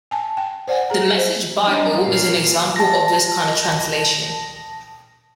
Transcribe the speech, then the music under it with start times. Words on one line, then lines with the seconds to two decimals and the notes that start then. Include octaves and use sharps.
The Message Bible is an example of this kind of translation.
0.11 G#5 A5
0.37 G5
0.68 C5 D5 F#5 G#5
0.90 G#4 A#5
1.17 C5
1.64 F#3 G3 C4 D4 D#4
2.06 A#2 F5
2.76 A5 A#6